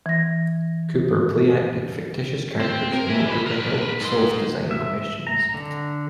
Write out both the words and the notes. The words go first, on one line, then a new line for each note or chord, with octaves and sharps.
Cooper play-acted fictitious characters in order to help solve design questions.
E3 A#6
C4
A#4
E5 G#5
D3 B5
A#4 B4
G#2 C6
E5
A#5
D3